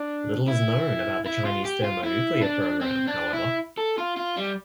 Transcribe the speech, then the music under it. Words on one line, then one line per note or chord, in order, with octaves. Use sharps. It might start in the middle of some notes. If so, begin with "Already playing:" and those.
Little is known about the Chinese thermonuclear program, however.
Already playing: D4
E4
E4
F4
G4
F4
E4
D4
C4
D4
E4
A4
F4
F4
G3